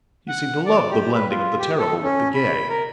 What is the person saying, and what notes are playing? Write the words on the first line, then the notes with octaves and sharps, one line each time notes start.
You seem to love the blending of the terrible with the gay.
F#5
D5
G4
B4
F4
G4
A4
C#4
B5
A#4